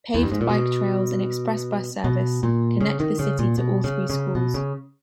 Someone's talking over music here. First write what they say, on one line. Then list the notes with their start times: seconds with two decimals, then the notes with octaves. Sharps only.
Paved bike trails and express bus service connect the city to all three schools.
0.15 E2
0.23 G2
0.32 G#2
0.41 A#2
0.49 B2
2.04 B2
2.43 A#2
2.81 C#3
3.00 D#3
3.19 C#3
3.39 A#2
3.58 B2
3.84 C#3
4.10 C#3
4.35 B2
4.54 C#3